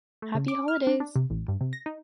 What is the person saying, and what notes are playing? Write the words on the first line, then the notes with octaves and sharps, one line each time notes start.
Happy Holidays!
A3
C#3
D6
F6
D4
D4
C3
A1
G2
C3
A#6
D#4